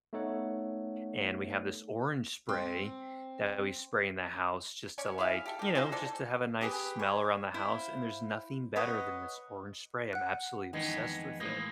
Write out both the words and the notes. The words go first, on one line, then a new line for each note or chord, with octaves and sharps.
and we have this orange spray that we spray in the house just to like you know, just to have a nice smell around the house, and there's nothing better than this orange spray, I'm absolutely obsessed with it.
A3 B3 D#4 A4 C#5 F#5
C4
C#4 C#5 D5
E4 G#4 E5 F5
G4 A4
D#3 G4
D#4 F4 G#4 C5
G#3 A4 D5
G4 G#4 B4
C#5
E4 C5 F5
B4 C#5 D#5 F#5
F#5 F#6
F2 D#3 E3 G#3 B3 D#4
A2 E3 G#3 A#3